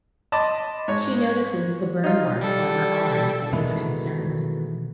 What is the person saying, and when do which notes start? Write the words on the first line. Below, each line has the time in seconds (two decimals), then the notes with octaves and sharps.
She notices the burn mark on her arm and is concerned.
0.32 D#5 A5 B5 C6 D6
0.88 G#2 C#5
2.04 D#4 F4
2.41 G3 A4
3.53 B2 D#3 E3 G#3 A3